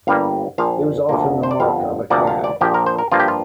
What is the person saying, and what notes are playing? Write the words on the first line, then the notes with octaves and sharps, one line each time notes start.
It was often the mark of a cad.
G1 G2 G3 A#3 F5
A#1 A#2 F3 F5
D2 D3 F3 A#3
C5
D5
G1 F2 D3 G3 F5
D2 C3 F3 A#3 D5
F5
D5
A#1 A#2 F3 A#3 G4
A#4
C5
A#4
G2 F3 A#3 F4
G4
F4